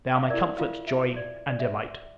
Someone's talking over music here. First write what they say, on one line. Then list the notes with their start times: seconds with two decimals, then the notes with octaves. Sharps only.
They are my comfort, joy, and delight.
0.16 F5
0.23 E5
0.30 E4 A#4 D5
0.58 F4 F5
0.88 E5
1.16 D5
1.50 D5
1.60 E5